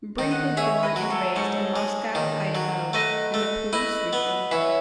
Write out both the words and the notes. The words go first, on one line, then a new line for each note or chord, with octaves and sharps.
Brink was born and raised in Moscow, Idaho, in the Palouse region.
D#3
D#5 F#5
G#4 C#5 E5
B4 D#5
F#3
A4 C#5
G#2 A4 C#5
G#3
D#3
F#3
A3 B4 D#5
A3
E4 B4 D#5
B3
E3 C#5 E5